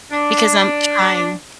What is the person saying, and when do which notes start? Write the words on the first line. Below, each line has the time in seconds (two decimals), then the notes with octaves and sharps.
Because I'm trying
0.12 D4